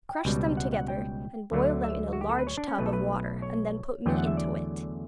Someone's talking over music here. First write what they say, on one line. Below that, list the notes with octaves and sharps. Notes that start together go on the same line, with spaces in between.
Crush them together and boil them in a large tub of water, and then put me into it.'
G5
C#2 B2 G3
F#5
F#5
G5
D2 D3 F#3 A3
E5
F#4
G4
A4
B4
C#5
D4
C#4
B1 B2 A3 B4
A4
B4
C#5
E2 D3 F#3 A3 G5
F#5
E5
D5